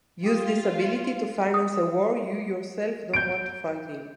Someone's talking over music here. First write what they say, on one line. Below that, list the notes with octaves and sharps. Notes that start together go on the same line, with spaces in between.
Use this ability to finance a war you yourself don't want to fight in.
F4 G4 D#6
D#6
G6 D7